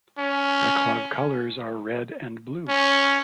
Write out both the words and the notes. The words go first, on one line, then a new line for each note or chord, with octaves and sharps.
The club colours are red and blue.
C#4
C#4